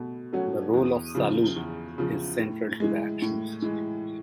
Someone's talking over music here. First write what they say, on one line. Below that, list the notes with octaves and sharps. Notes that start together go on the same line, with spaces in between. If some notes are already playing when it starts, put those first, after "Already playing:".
The role of Salud is central to the action.
Already playing: B2 A3
F#3 A3 C#4 F#4
E2
C#3 F3
E2
C#3 F3
A2
E3 G#3
A2
E3 G#3